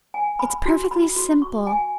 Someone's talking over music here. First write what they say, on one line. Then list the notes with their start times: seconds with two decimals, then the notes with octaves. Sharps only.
It's perfectly simple.
0.14 G#5
0.39 B5
0.66 F#4
0.91 B5
1.16 F#4
1.42 C#6
1.67 G#5